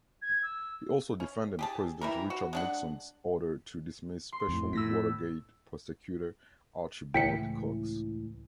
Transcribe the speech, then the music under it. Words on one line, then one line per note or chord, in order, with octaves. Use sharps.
He also defended President Richard Nixon's order to dismiss special Watergate prosecutor Archibald Cox.
G#6
E6
C#4
G4 G#4 A5
E3 G3 A#4
F#4
G#3 D4 F#5
C6
F2 A2
A2 E6 A#6 B6
C#2 A2 E3 G5 B6 C#7